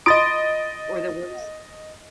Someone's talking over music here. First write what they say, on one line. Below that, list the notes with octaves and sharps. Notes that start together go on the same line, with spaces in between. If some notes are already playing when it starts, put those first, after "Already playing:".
Or the worst
F4 D#5 C6 D#6 A6 D7